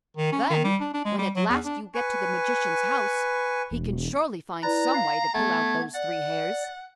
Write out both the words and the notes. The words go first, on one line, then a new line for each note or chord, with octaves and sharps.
"Then, when at last you get to the Magician's house, he can surely find some way to pull out those three hairs."
D#3
C#4
D#3
G3
D4
D4
G#3
G3
F#3
E2
D4
B4 G#5 C#6
E1
E4 B4 D5 A#5
F5
A3 B3 G#6
D5 F#5